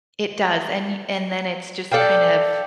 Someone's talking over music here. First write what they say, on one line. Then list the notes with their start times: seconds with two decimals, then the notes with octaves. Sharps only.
It does, and you and then it's just kind of
1.92 A4 D5 F5 G5